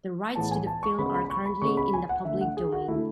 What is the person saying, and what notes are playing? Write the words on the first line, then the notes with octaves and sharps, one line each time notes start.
The rights to the film are currently in the public domain.
A2 E3 G#3 B3 A5
G#5
A5
C#6
C#3 G#3 B3 B5
B5
B5
C#6
B5
C#3 G#3 B3 C#6
B5
G#5
F#5
D3 A3 E5
F#5
G#4
F#4
D3 A3 E4